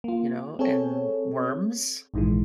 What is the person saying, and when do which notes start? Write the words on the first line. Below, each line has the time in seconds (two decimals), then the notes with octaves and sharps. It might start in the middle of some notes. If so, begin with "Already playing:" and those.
you know, and worms.
0.04 A#3 F4
0.59 C4 G#4 A4 C#5
2.14 A#1 G#2 D#3 E3 G#3